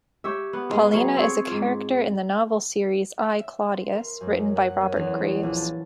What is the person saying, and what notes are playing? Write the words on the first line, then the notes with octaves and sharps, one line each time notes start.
Paulina is a character in the novel series, I, Claudius written by Robert Graves.
G4 C#5 E5
B3
G#2 G#3
F#3 B3 C#5 F5
C4 G#4 C#5
G#2 F4
E5
C6
A#4
F#2
F#5
C#4
E2
A#1
A5